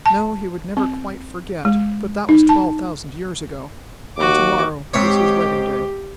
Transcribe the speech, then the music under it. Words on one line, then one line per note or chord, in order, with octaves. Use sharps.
No, he would never quite forget, but that was twelve thousand years ago ... and to-morrow was his wedding day.
A5
C4
G#3
D#4
A5
D#2 F#4 D6
G#2 C4 G4 C#5